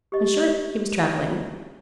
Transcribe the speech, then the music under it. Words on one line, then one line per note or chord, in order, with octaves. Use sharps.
In short, he was travelling.
G4 D#5